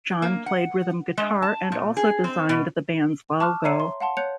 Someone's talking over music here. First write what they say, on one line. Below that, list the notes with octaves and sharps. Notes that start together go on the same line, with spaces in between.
Jon played rhythm guitar and also designed the band's logo.
A#3
F#5
G#3
A5
A#2
G#4
C4
B2
A5 C#6 D6 F6 F#6
C#5 E5 A#5 C7 C#7 D#7
C6
F5 F#5 A5 C6
C#5 F#6 G6 C#7 F7